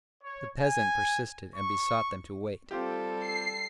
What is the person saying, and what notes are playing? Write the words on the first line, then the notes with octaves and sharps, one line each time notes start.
The peasant persisted and besought them to wait.
C#5
G#5
C#6
G3 C4 F4 G4 A4
C7